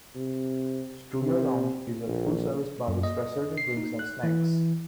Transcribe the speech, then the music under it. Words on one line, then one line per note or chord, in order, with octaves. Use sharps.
Studio Lounge is a full-service bar with specialty drinks and snacks.
C3
C3
A#1
F#2
D#5
C7
D#4
F#6
E3